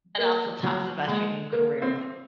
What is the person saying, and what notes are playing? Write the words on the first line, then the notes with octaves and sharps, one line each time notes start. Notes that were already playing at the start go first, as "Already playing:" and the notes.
but also talks about your new career move.
A#3
F#3
G#3
A#3
C4